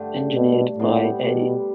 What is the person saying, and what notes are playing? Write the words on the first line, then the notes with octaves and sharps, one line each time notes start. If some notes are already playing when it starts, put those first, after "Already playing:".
Engineered by A.
Already playing: G2 D3 A3
B2
A2 C3 G3 B3
B2